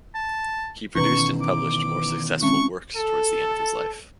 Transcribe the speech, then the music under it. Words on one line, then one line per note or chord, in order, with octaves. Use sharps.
He produced and published more successful works towards the end of his life.
A5
B2 D#3 E3 C#4 B4 A#5 C#6
D6
G#3 C4 C#4 C#6
A4